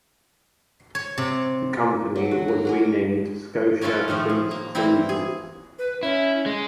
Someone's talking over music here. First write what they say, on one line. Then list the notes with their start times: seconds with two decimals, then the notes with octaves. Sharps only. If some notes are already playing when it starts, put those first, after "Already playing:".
The company was renamed Scotia Prince Cruises.
0.95 C#5
1.18 C3
2.16 F#3 A4
2.31 F#4
2.48 A#3
2.65 F#4 A#4 G#5
3.81 A#3 C#4 E4 F4 A4
4.08 A2 D#3 F3 A3
4.29 G#4
4.51 A#3
4.75 E3 G3 A#3 C4 E4
5.09 G#4
5.79 B4
6.03 C#4 E4
6.46 G#3